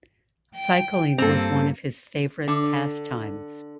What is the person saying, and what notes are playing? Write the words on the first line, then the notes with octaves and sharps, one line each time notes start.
Cycling was one of his favourite pastimes.
G5
G2 A#3 C4 A4
D3